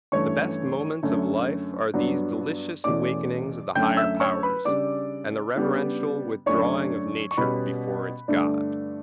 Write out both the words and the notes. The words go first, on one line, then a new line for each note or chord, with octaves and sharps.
The best moments of life are these delicious awakenings of the higher powers, and the reverential withdrawing of nature before its God.
G2 E3 A3 C#4 C#5 C#6
F#2 D3 A3 C#4
G2 F#3 B3 D4
E2 B2 A3 C#4 D5 D6
F#2 D3 A3 C#4 G5 G6
E5 E6
C#5 C#6
B4 B5
C#3 G3 D4 D5 D6
C#3 G3 B3 D4
F#2 D3 A3 D4 C#5 C#6
C#6
B2 G3 C#4 B4 B5
G2 D3 A3 D4